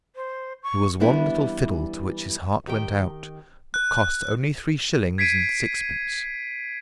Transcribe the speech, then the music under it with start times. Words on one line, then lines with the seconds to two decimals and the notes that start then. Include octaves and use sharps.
There was one little fiddle to which his heart went out, that cost only three shillings and sixpence.
0.16 C5
0.63 C#6
1.00 E3 G3 B3 D4 E4
2.67 D#3 G4 G5
3.74 F#6
5.18 G#6 B6 C7 D7 D#7